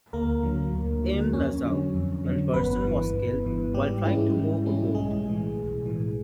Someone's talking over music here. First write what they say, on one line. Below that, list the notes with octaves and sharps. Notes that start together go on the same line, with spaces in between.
In Nassau, one person was killed while trying to move a boat.
D2 A#3 A#4
D3 F#3
D2
D3 F#3
F2 C#4 C#5
D3 F#3
F2
D3 F#3
G1 B3 B4
G2 E3
G1
G2 E3
G#2 G3 G4
E3 G#3 C#4 E4
G#2
E3 G#3 C#4 E4
B1 G#3 G#4
A2 E3
B1
A2 E3